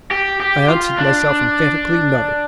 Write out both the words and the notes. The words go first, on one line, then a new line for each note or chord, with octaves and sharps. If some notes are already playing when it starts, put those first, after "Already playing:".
I answered myself emphatically, no.
G4
G4
F4
D4